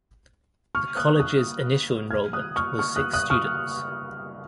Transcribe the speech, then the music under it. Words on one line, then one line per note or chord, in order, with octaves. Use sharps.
The college's initial enrollment was six students.
C#6 F6
D#6 F#6
D#6 F#6
F6 G#6
D#6 F#6
C#6 F6
C#6 F6
D#6 F#6
D#6 F#6
C#6 F6